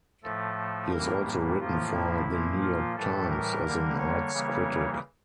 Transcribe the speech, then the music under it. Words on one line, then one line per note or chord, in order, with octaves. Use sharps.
He has also written for "The New York Times" as an arts critic.
A2 F3 A3 A4
A2 E3 G3 A#3 A#4
A2 F3 A#3 F4
E4
A#2 F3 A#3
F4
A2 E3 G3 A4
A#4
D3 G3 A#3
C#5
C#3 E3 G3 A#3